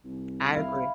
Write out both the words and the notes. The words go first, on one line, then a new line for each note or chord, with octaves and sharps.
I agree.
C2
E4 F5